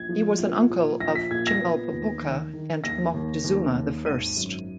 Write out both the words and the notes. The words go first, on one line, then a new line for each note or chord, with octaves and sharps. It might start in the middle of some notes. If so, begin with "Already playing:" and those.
He was an uncle of Chimalpopoca and Moctezuma the First.
Already playing: A#1 G#6
F3
A#1
A#2
A#1 A#6
B6
A#2 G#6
A#6
B3
D#2
D#3
D#3
D#2 A#6
D#2
D#2
D#2
G#1 D#7
F#2